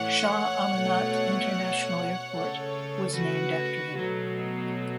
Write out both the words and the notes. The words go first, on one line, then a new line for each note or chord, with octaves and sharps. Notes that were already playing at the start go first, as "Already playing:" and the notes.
Shah Amanat International Airport was named after him.
Already playing: A2 E3 A3 C#5 F#5
B2 A3
C#3 A3 A4 C#5
F#4 B4
B2 F#3 A3